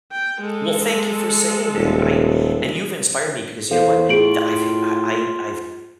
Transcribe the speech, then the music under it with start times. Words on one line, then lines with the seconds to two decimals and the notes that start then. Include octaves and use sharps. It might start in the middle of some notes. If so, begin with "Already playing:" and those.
Well, thank you for saying that. I and you've inspired me because you know what? Tha I've f I I I've
0.12 G5
0.41 G#3 A4
1.77 D#1
3.71 E2 A4 C5 F5
4.09 A2 F4 G#4 D7 F#7